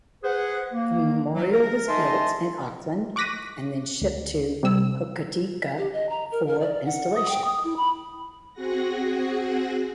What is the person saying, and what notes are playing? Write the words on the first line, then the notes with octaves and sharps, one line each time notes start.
The memorial was built in Auckland and then shipped to Hokitika for installation.
G#4 B4 C5 F#5
A#3
F#3
A#4
D#4 D#5 E5 G#5 A5 C6
C#6 D6 F#6 A#6 B6 D#7
D2
C3 G3 E6
G4
D#5
A#5
A#4
A#4
D5
F#5
D#6
G5
D#6
E4
B5
C4 F#4 G#4 F#5 A#6